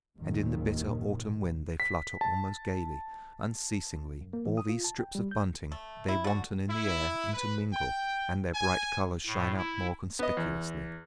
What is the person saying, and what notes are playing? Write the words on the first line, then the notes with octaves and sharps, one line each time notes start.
And in the bitter autumn wind they flutter almost gaily, unceasingly, all these strips of bunting, they wanton in the air, intermingle, and their bright colours shine out more conspicuously.
F#1 D#2 A#2 D#3
B6
A5
F#2
A#3
E3
D#6
F4
A5
G5
G3
G6
A3
E4
D3 F#4
E4
B4
G5
G#5
A2
E4
B3 D#5
E2